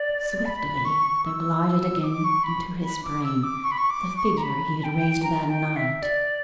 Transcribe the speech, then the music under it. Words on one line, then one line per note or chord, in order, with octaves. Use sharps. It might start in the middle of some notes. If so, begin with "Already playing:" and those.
Swiftly, there glided again into his brain the figure he had raised that night.
Already playing: D5
B5
C#6
E6
D6
C#6
B5
B5
D6
E6
D6
C#6
B5
C#6
D6
C#6
A#5
B5
G5
A#5
G5
E5
D5